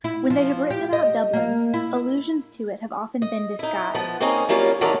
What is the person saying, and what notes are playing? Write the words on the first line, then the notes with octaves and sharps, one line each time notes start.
When they have written about Dublin, allusions to it have often been disguised.
E4
F3
G4
D#5
A#3
E4
D#5
D#4 E4
F3 B3
A#3 C4 C#4 D#4 G#4
F#3 G3 A#3 C#4 F4 F5
D#3 E3 F#3 A4 A#4 D5